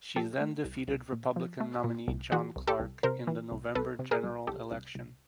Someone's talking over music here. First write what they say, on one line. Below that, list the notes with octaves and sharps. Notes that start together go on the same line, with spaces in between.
She then defeated Republican nominee John Clark in the November general election.
F3 G4 A4
A3
C2
C2
A#2
F3
A3
A#2
C2
E3 F#4 G#4
C2
G4 A4
C2
C3 A#4 C5
E3
C2
C2 A4 B4
C3
G#4 A#4
C2
C2 G4 A4
C2
C2